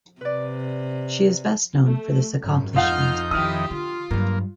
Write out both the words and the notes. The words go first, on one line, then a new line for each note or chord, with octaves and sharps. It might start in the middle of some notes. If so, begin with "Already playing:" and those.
She is best known for this accomplishment.
C3 B4 D5
A3
G#1 F#2
F2 D#4 F4 F5 F#5 F6 G6
D#3 F3 E4 G4 D#6 F6
D3 F4
G2 F#3 A#3